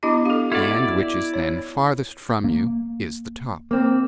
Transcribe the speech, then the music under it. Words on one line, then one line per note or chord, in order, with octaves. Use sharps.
The end which is then farthest from you is the top.
B3 D4 E4 G4 D#5 D6
G4 A4 F5
E4 F#4 A4 D5 F#5
C#5
A#3
A#3 C4